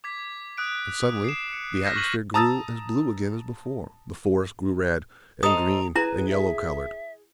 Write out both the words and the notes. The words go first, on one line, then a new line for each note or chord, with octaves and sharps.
And suddenly the atmosphere grew as blue again as before; the forest grew red, and green, and yellow-colored.
D6 G#6 B6
D#6 F#6 D7
C7 E7
C#7
F6 G6 G#6 A#6 B6 D#7
C#6 F#6 B6 F#7
A5 A#5 D#6 E6 A6
A4 C5 D#5 A#5 D#6
E4 G#4 B4 A#5
E5